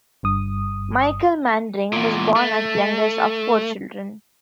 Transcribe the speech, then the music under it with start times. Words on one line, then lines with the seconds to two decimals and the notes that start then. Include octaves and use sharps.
Michael Manring was born as youngest of four children.
0.23 G1 G2 D#6
1.92 E2 A#2
2.36 A3